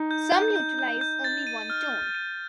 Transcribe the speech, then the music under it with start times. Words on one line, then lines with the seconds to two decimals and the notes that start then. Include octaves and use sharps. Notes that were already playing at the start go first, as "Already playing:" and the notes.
Some utilise only one tone.
Already playing: D#4
0.11 G6
0.33 G6
0.56 G6
0.79 G6
1.01 G6
1.24 A6
1.47 D#7
1.70 F6
1.92 F6
2.15 D#7